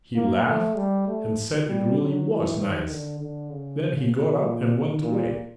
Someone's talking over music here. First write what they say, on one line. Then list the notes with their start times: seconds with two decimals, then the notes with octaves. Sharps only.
He laughed and said it really was nice. Then he got up and went away.
0.16 A#3
0.46 A3
0.76 G3
1.07 A3
1.67 G3
1.99 F#3
2.29 E3
2.59 D#3
2.90 D3
3.20 D3
3.50 C#3
4.12 B2
4.43 A#2
5.03 A#2